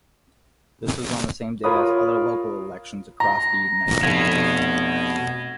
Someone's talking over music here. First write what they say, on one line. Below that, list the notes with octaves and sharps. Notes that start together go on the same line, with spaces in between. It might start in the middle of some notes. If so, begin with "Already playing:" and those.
This was on the same day as other local elections across the United Kingdom.
F4 A#4 C#5 B5 D#6
A#5 A#6
F1 B2 G#6